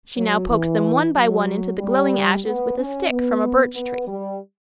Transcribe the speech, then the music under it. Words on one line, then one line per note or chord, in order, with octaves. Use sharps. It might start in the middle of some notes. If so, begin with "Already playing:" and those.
She now poked them one by one into the glowing ashes with a stick from a birch tree.
F#3
E3
F#3
G3
B3
C#4
B3
B3
G3